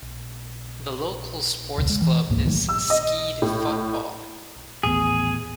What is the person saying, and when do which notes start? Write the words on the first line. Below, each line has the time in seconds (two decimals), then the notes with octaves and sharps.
The local sports club is Skeid Fotball.
1.78 E1 C#2
1.90 G#3
2.02 E3
2.29 D#1 C#2 G#2 A#3
2.45 A#1 D#3 F#3 A3
2.69 E6
2.90 D#5
3.42 A2
4.83 D#1 A1 B3 G#4